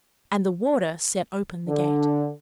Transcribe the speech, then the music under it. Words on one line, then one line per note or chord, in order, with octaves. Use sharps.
And the Warder set open the gate.
D3